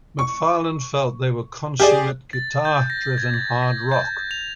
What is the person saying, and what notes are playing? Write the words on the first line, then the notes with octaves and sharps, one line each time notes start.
McFarlane felt they were "consummate, guitar-driven, hard rock".
C#6
G4 G#4 D5
A6
G6
A#6
G#6
A6
A#6
G6
F7